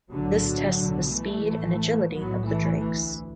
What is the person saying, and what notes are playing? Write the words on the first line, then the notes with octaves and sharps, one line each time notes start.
This tests the speed and agility of the drakes.
B1 A2 D3 F#3
B1 B2
E3 A3
A1 A2
B1 A2 F#3 B3
E3 A3
D2 E3